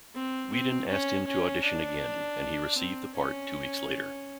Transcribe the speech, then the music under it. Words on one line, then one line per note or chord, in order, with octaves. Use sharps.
Whedon asked him to audition again, and he received the part two weeks later.
C4
C4
C#4
C#4
D4
C4
C#4